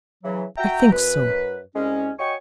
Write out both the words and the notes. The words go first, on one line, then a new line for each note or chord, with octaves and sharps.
I think so.
C#3 E3 F#3
F#4 E5 G5 A#5
F#2 B4
C2 G#3 C#4
F#4 C#5 D#5 G5 G#5 C#6